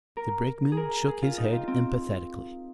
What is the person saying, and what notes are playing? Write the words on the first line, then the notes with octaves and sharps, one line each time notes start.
The Brakeman shook his head emphatically.
A#4
G#4
A#4
G#4
F4
D#4
F4
C4